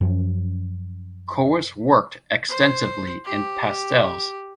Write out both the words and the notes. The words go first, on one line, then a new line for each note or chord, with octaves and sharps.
Choris worked extensively in pastels.
F#2 F3 C#4
C5
G4